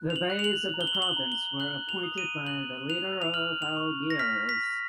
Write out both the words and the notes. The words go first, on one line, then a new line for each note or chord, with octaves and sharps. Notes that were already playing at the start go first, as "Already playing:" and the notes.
The Beys of the province were appointed by the leader of Algiers.
Already playing: F#6
F7
F#7
F#6
F7
F#7
A#5
G7
F#7
G7
F#7
A#5
G7
F#6 F#7
F7
D#6
D#7
F#6 F#7
F#6 F7
F7
F6 F#7
F7
C#6
A#6
F6 B6
B6
F6